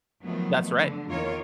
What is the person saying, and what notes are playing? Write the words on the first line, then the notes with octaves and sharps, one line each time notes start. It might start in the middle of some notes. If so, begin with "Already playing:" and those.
That's right.
D#3 F3 F#3 A3 B3
D3
E2 D#3 A#3 F4 A#4 C#5